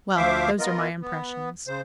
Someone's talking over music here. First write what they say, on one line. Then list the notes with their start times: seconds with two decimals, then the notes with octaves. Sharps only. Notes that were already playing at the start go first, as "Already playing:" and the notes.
Well, those are my impressions.
0.17 D2 F3 C5 E5 F5 D6
0.59 B3 F4 A#4 D#5
1.02 B3
1.68 C#3 C5